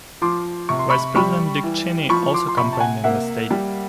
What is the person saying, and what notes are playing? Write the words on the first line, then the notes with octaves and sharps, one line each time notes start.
Vice President Dick Cheney also campaigned in the state.
F3 C6 D6
C3 C#6
C6
B5 C#6
G3 B5 C#6
E3
F3 B5 C#6
C6 D6
C6
C3 B5 C#6
A5
F#5 G#5
A#3 E5 F#5
G3